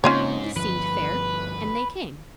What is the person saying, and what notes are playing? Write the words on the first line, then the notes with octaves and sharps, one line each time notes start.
This seemed fair, and they came.
G#2 C#3 A#3 C4 C#4 F4 C#5
G1 F3 B4